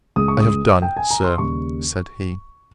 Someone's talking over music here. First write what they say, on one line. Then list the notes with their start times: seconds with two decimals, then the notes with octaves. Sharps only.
I have done, Sir, said he.
0.16 C#2 C#3 G#3 D#6
0.28 C#6
0.40 D#6
0.82 G5
0.97 G#5
1.10 A#5
1.24 C6
1.38 D#2 C#3 G3 C#6